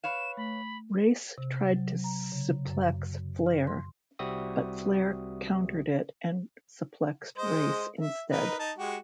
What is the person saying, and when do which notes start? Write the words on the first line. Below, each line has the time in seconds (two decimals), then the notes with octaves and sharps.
Race tried to suplex Flair, but Flair countered it and suplexed Race instead.
0.04 B4 C#5 F5 E7
0.37 A3 B5
1.38 C3
1.69 F#3
2.04 A#5
2.32 C#3
2.65 F#2
3.46 F6
3.67 C6
4.19 C2 G3 C4 F#4 E5 D#6
7.38 G#3 C5 D#5
7.99 E5
8.32 D#4 A#4 B4
8.59 D#4 A5
8.78 G#3 F#4 G4